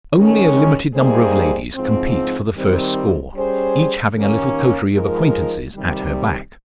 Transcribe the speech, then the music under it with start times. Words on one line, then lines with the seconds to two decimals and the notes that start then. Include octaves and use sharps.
Only a limited number of ladies compete for the first score, each having a little coterie of acquaintances at her back.
0.15 D#3 G#3 C#4
0.94 G3 A#3 D#4 G#4 C5
1.74 G#2 F3 C4
2.54 D#3 G3 C4
3.34 G3 C#4 G#4 C5
4.14 D#2 D#3 A#3 C#4
4.94 F3 G#3 D#4 A#4
5.74 C3 D#3 G3